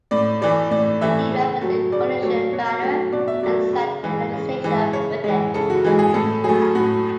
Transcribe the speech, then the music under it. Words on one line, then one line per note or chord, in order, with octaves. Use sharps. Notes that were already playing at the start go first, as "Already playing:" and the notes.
He ran with the Coalition banner and sat in the legislature with it.
A2 D5
E3 A3 D5
A2 D5
E3 A3 E5
C#3
F#3 A3
C#3 D5
F#3 A3 C#5
B2 C#5
F#3 A3
B2 D5
E5
F#3 A3 D5
C#3
E3 G#3
C#3
E3 G#3
C#3 C#5
E3 G#3
C#3 A4
F#4
E3 G#3
G#4
A2 A4
F#3 A3 G#4
A2 F#4